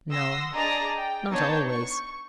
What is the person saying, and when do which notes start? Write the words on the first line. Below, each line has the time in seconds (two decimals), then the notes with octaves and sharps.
"No, not always."
0.11 F#5 C6 D#6 E6 A#6 C7
0.52 D4 G#4 D5 D#5 A5 A#5
0.94 G5
1.31 B3 D4 D#4 C#5 A5 G6
1.67 C#6